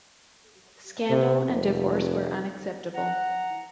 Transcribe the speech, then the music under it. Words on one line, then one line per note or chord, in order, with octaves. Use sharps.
Scandal and divorce were unacceptable.
C3
F1
F#5 A#5